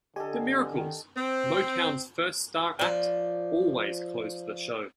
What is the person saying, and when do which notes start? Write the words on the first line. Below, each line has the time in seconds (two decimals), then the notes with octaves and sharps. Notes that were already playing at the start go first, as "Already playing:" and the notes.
The Miracles, Motown's first star act, always closed the show.
0.16 D3 G4 A4 D#5 G#5
0.70 D#3
1.16 C4
2.79 F3 D5